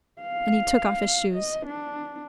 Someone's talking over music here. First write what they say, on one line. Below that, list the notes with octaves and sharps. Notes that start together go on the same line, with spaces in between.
And he took off his shoes.
F5
D#5
D4